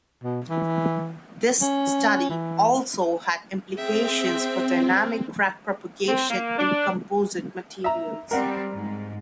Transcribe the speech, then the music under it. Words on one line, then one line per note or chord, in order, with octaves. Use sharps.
This study also had implications for dynamic crack propagation in composite materials.
B2
E3
C#4
E3
C4 G#4 E5 G5
C4
A#3
D4
E5 A#5
G3 C4 A#4 F#5
G#2